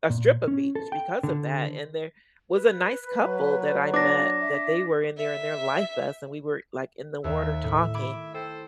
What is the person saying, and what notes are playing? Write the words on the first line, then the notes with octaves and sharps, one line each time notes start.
a strip of beach because of that. And there was a nice couple that I met that they were in there in their life vests, and we were, like, in the water talking.
A#2
C#4
A4
G5
D3
B4
F#3
D4 D6 A#6
E5
E5
D#2 E5
A2 E4
B5 D6 G#6
A4 C5 G5